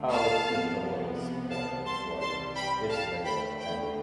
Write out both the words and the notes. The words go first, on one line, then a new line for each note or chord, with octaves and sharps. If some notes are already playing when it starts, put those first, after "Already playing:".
"Oh, it's just a little spill," it's like, it's there and"
Already playing: D2 D3 A3
F5 A5
C2 C3 F3 B3
F5 A5
C2 C3 E3 G3 A5 C6
A5 C6
G5 B5
F5 A5
D2 D3 A3 G5 B5
G5 B5